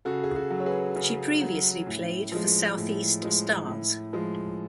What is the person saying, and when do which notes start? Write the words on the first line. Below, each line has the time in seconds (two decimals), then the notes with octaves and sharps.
She previously played for South East Stars.
0.05 C#3 F#4 A4
0.23 G#4
0.35 F#4 A4
0.50 F#3
0.60 C#5
0.66 G#4 B4
0.96 C#3 C#4
1.41 F#3
1.87 A2
2.32 F3 G#3
2.78 A2
3.22 F3 G#3
3.68 A2
4.13 F3 G#3